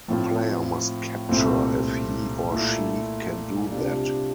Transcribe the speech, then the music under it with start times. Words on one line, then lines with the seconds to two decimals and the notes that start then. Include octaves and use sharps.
A player must capture if he or she can do that.
0.08 A2 F3 C4 F4
1.29 C2 A#2 A3 C4
2.49 A#2 A3 E4
3.70 C3 G3 D4 F4